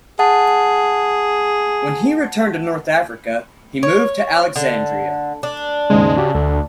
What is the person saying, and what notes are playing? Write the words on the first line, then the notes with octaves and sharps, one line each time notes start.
When he returned to North Africa, he moved to Alexandria.
G#4 F#5 A5
C#5
D3
D4
D#2 G#2 C#3 G#3
C#3 F#4 G4
D2 A4